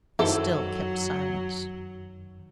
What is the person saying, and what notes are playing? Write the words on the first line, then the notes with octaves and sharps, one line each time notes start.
They still kept silence.
F#2 D#3 F#3 E4 A4 C5 E6